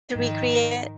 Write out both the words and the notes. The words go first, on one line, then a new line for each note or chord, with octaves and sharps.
to recreate it?
G#2 D#3 F3 G#3